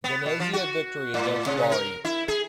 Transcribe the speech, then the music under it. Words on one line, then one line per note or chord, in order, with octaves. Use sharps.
Venezia victory against Bari.
B3
B2
F3
F#4
A2
C3
A#4
E4
G#4